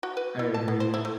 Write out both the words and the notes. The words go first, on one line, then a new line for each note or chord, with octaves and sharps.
I agree.
F#4
B4
E4
A5
B3
C5
E4
A3